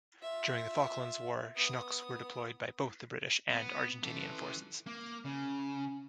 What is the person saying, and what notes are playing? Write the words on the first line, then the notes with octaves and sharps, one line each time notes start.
During the Falklands War, Chinooks were deployed by both the British and Argentinian forces.
F4 E5
B3 D#6
B3
E3 A4
A#3
C#3